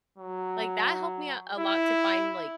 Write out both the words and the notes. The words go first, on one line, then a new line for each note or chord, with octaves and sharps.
like, that helped me out a lot to find, like,
F#3
E4